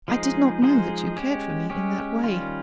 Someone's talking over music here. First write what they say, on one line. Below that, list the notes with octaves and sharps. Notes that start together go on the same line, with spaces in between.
I did not know that you cared for me in that way.
F3 G#3 D#4 G#4 C5
F3 G#3 D#4 G#4 C5
G#3 C#4 G4
G#3 C#4 G4
D#3 G3 C#4 F4